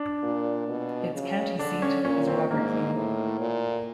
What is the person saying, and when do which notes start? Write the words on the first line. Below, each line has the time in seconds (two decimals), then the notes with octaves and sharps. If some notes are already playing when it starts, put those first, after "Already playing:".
Its county seat is Robert Lee.
Already playing: D4
0.23 A#2
0.69 B2
1.14 C#3
1.59 D3 D4
1.82 C#4
2.04 A#2 C#4
2.27 C4
2.50 G#2 A#3
2.95 A2
3.40 A#2